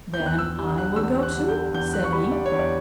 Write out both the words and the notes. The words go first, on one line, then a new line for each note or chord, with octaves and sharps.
"Then I will go too," said he.
G6
E2
F#6
E6
D3 G3
F#6
E2 E6
F#6
D3 G3
G6
E2 G6
F#6
C#6
D3 G3 B5
D5
C#5
E2
D5